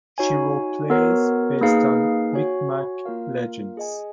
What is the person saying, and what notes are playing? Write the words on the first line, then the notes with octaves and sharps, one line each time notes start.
She wrote plays based on Mi’kmaq legends.
D#4 F#4 C#5 G#5
B3 F#4 A#4 C#5
A#3 D#4 G#4 B4 F5
F#4 C#5 G#5
A#3 F4 A#4 F5
G#4 D#5 G#5